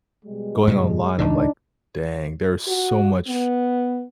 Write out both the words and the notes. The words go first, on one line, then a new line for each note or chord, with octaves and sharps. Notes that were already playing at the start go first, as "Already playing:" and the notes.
going online, I'm like, "Dang there's so much
B2 G3 G#3
G2 A#2 C#3
C#2 A2 C#3 D4 D#4
F#4
B3